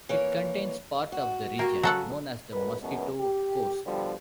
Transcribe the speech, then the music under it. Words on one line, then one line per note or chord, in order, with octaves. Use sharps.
It contains part of the region known as the Mosquito Coast.
E3 A#3 C#5
F#4
A#3 F#4 G4
C#3 F#3 A4 F#5
A1 D2 B2 A#4 B4
C#2 F#2 B2
G4
B2 D3 F3 G3